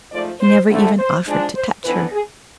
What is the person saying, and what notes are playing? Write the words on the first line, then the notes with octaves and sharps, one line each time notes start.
He never even offered to touch her.
G#2 F3 A3 D5
C5
F2 D3 A3
C5
G#2 F3 G#3 D4
C5
F2 E3 B3 D4 B4
G#4